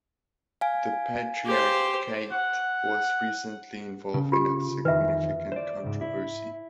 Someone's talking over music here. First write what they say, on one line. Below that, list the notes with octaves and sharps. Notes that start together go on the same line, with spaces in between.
The patriarchate was recently involved in a significant controversy.
F5 G#5
G4 C5
F#5
C#3
F4 G4
F2 D#3 E3 B4 E5
C5 D5
C#2 G#2
E4